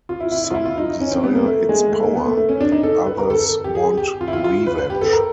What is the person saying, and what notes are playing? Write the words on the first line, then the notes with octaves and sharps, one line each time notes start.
Some desire its power, others want revenge.
F4
E4
E4
E4
F4
E4
F4
D#4
D#4
C#4
C4
B3
A#3
A3
G#3
A3
A#3
B3
A3
A3
C#4
D4
D#4
A4
B4
A#4
A4
A4
G4
G#4
G4
F4
E4
F4
F4
B4
B4
G4
A4
A#4